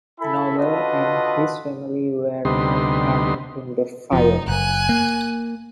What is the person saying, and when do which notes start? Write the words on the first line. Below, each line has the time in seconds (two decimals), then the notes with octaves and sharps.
Noble and his family were not harmed in the fire.
0.20 E4 A4 E5 G#5 B5
0.57 D4 F4 F#4 A4 B4 D#5
2.45 D2 C3 G3 B3 D#4 C6
4.13 F1 F3 D#4
4.48 F#1 G#5 F#6
4.89 A#3